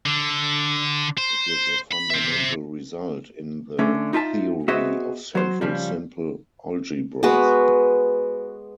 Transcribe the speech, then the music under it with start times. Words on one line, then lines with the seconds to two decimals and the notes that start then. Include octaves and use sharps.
It is a fundamental result in the theory of central simple algebras.
0.06 D3
1.18 C5
1.92 B5
2.10 C5 E5
3.79 D3 A3 C#4
4.13 D#4 F4 E5 A5
4.68 B3 F#4 G#4 C5 D#5 E5
5.35 F#3 C5
5.61 C#3 F3 G3
7.23 G#3 B3 F#4 B4